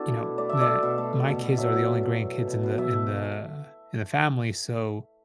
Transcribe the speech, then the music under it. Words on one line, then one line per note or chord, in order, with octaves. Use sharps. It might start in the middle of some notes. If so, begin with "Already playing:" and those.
you know, that my kids are the only grandkids in the in the uh, in the family, so,
Already playing: B3 D4 E4 F#4 A4
A3
B2
A3 D5
A3 E5
D5
A3
B2
A3
A3
B2
B2
F#3 E5
B2
A3
A3
B2
B2
B2
B2
B2 E5
A3